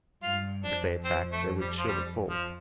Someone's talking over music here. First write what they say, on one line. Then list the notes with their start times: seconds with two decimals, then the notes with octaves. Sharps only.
If they attacked they would surely fall.
0.23 G2 F4
0.64 F2 D4
1.05 C4
1.33 A3
1.60 G3
1.78 F3
1.88 G3
2.30 F3